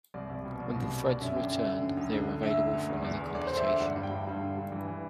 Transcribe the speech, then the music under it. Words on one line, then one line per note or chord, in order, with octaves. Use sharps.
When the threads are returned, they are available for another computation.
C2 D5
C2
B2
C2
C2
B2
D3 D5
F#2 E5
D3 G5
D3 E5
D3
F#2
D2
D3
D3
D2 E5
D3
D2
E2
E2
D3
D3 D5
D3 C5
E5
D3
G2 F#5
G2
G5
G2
G2
D3
G2
E3
E3